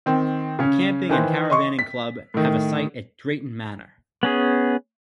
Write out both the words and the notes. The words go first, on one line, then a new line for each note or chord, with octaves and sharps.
The Camping and cravanning club have a site at Drayton Manor.
D#3 C4
C#3 C#4
D#3 E3 B4 C5
D#5 C6 C#6
B6
A2 D#3
B3 C#4 G#4